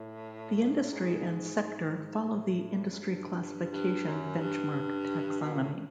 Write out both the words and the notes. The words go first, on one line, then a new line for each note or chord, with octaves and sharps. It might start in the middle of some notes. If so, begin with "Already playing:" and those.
The industry and sector follow the Industry Classification Benchmark taxonomy.
Already playing: A2
G#2
A2
F#2
G2
G2
F#2
G#2
G2
B2
A#2
A2